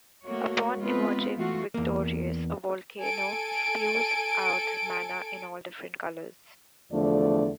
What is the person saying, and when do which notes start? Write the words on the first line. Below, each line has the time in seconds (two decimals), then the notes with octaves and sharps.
Upon emerging victorious, a volcano spews out mana in all different colours.
0.24 A3 A#3 F#4 C#5
0.79 G#3 B3 C4 F4 B4
1.36 E3 A3 F4 F#4
1.74 E2 A#3
3.00 A4 G#5 D7
6.91 E2 D3 F3 A3 D5